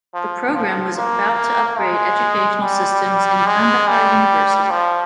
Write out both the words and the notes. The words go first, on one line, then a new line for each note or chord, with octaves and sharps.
The program was about to upgrade educational systems in Kandahar University.
F3
F3
A#3
G#3
G3
G#3
G3
F3